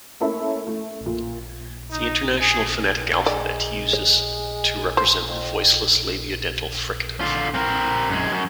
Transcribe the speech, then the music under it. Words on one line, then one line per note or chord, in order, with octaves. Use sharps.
The International Phonetic Alphabet uses to represent the voiceless labiodental fricative.
A3 A#3 C#4 E4 A4
A3
A#2
D#4
G#4
G#3 D5
C5
F2
D3 F4
C4 A#4
F#2 G#3
F#2